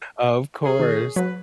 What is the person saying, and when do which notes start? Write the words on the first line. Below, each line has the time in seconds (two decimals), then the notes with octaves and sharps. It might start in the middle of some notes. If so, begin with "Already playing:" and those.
of course.
0.65 F#2 C#4 G#4
0.79 D#3
1.16 F#3 B4